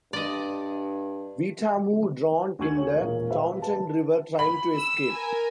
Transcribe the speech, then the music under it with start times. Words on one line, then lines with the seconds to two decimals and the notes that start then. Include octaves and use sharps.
Weetamoo drowned in the Taunton River trying to escape.
0.13 G2 D5 D#5
2.59 D2 F#4 G#5 C#6 G#6 F#7
2.77 G#4 C#5
2.97 E1 A#2 A#4 F5
3.30 F#4 G#4 B4 C5 E5 F5
3.62 B4 A5
4.39 B5
4.77 E6
5.14 A#4 G#5